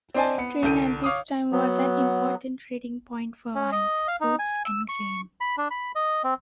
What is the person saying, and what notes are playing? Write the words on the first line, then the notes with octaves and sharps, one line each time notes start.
Trani at this time was an important trading point for wines, fruits and grain.
C4 D4 C5 D#5 G#5 A5
B3 C#7
C2 D3 A4 G6 D7 D#7
C#5 F5 D6 D#6
F#3 B3
C#4
D#5
F5
D#4
G#5
E6
C#6
B5
D4
B5
D#5
C4